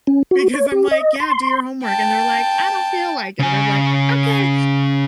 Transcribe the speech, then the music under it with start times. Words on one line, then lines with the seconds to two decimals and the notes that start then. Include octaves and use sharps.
because I'm like, "Yeah, do your homework," and they're like, "I don't feel like it," and I'm like, "Okay." Like
0.07 C#4
0.31 F#4
0.54 C#5
0.72 G4
0.91 D#5
1.20 C6
1.84 G5 A5
3.40 C#3 G#5